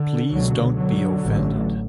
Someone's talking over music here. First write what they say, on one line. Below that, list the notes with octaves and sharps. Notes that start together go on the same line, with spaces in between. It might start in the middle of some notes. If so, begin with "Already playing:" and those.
Please don't be offended.
Already playing: D3
C#2 B2 D3 F#3
D3 F#3
A1 A2